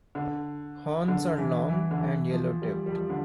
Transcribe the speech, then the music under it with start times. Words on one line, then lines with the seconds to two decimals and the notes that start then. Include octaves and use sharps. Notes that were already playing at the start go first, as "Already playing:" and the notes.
Horns are long and yellow-tipped.
0.15 D3
1.08 D3
1.38 E3
1.69 E3
1.91 D3
2.00 E3
2.31 F3
2.62 G3
2.86 G3
2.92 F3
3.10 D3